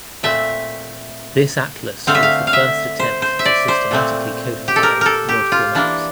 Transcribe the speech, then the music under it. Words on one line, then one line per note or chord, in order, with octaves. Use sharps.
This atlas was the first attempt to systematically codify nautical maps.
A#2 A3 C4 E5
D3 A3 C4 F5
E5
F5
F5
E5
C5
C5
E5
D5
C5
A#2 A3 C4
G4
A4
A#4
A4 A#4
G4
F4
E3 A#3 D4